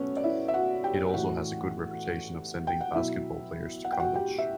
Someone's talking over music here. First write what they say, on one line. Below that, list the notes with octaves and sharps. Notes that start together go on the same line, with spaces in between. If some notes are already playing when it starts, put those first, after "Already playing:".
It also has a good reputation of sending basketball players to college.
Already playing: B2 F#3 A3 B3 C#4 C#5
D5
E4 E5
E5
F#4 F#5
G4 G5
A2 E3 F#4 F#5
G5
F#5
B2 F#3 E4 E5
F#5
G5
F#4 F#5
G4 G5
E5